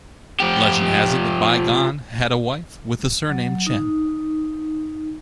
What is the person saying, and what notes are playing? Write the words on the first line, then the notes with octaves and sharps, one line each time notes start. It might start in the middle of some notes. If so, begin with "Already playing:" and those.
Legend has it that Bi Gan had a wife with the surname Chen.
F3 G4
F#3
D#4